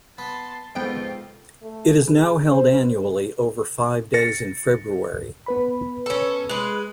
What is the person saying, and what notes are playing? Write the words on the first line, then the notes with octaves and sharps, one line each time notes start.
It is now held annually over five days in February.
B3 B4 A5 C6
F2 G#2 B3 F4 A4 G5 D7
A3
G#4
C5
A6 A#6 C#7
B3 B4 B5
C#4 A4
G#3 B4